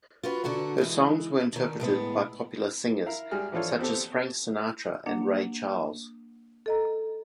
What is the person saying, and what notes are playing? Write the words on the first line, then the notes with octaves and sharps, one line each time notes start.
Her songs were interpreted by popular singers such as Frank Sinatra and Ray Charles.
F4 F#4 B4
D3 D4 F#4 A4 A#4
E3 G#3
D3 D#3
A2 G#3 B3
E4 A#4 F5
G3 G#3 G#4 F6
E3 F3 D4 F4 A4 C#5
B3 C4 G4 A4
A#3 D4 F#5
A4 D#5 A#5